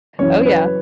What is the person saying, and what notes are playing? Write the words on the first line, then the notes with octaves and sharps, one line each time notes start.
Oh, yeah.
F#1 F#2 E3 C#5
B4